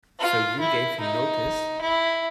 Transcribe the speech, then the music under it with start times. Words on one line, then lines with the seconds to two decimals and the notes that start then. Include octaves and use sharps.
So you gave him notice?
0.20 F4
0.60 E4
1.01 D#4
1.82 E4